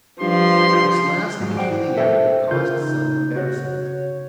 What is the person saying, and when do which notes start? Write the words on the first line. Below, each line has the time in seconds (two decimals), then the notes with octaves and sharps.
This last peculiarity caused some embarrassment.
0.21 G2 F3 C6
1.40 G#2 F#3
1.57 C5 D5 F#5 G5
1.97 A4 E5 G5
2.51 C#3 F4 A#4 G6
2.80 D#4
3.36 F#4 C#5